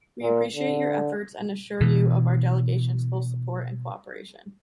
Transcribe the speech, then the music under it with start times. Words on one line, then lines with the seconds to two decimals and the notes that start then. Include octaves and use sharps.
We appreciate your efforts and assure you of our delegation's full support and cooperation.
0.22 A#2
0.56 D3
1.80 B2 E3